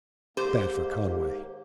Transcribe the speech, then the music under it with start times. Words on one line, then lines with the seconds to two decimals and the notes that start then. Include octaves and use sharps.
Bad for Conway.
0.37 D#2 G#2 A#3 G4 C5